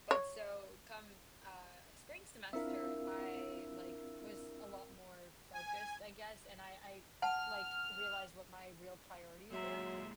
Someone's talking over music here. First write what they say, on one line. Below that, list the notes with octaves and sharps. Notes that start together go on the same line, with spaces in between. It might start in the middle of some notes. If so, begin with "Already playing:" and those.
but so, come, uh, spring semester, I like, was a lot more focused, I guess, and I I, like, realized what my real priorities were,
C#5
C4 D4 E4 F4 A#4 E5 F5 E6
G#5
F#5 A5 F6
A#2 F#3 G#3 E5 A#5